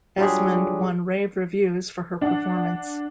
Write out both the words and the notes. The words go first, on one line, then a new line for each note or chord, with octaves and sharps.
Esmond won rave reviews for her performance.
F#3 G3 D4 F4 G4 G#4
D4 F#5